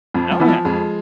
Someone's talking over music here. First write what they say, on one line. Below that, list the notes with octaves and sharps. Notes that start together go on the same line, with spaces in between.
Oh, yeah.
F2 F3
F3
E3 B3 E4
F3
F2 G#3